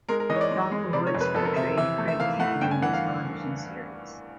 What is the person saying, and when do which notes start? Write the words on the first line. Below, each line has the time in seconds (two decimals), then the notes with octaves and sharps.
Donald Woods portrayed Craig Kennedy in the television series.
0.09 G#3 A#4
0.20 A#4
0.30 E3 D#5
0.36 C#5
0.41 D5
0.51 G#3
0.72 G#3
0.93 C3 D5
1.07 C#5
1.15 F2
1.21 B4
1.35 F2 A4
1.45 A#4
1.56 C3 E5
1.78 E3 E5
1.98 A3
2.08 E5
2.20 E3 F5
2.40 A3 F#5
2.61 G2 G5
2.71 G#5
2.82 E3 F#5
2.93 F5